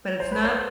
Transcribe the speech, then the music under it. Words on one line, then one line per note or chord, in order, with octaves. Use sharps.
but it's not
C5
B4
C5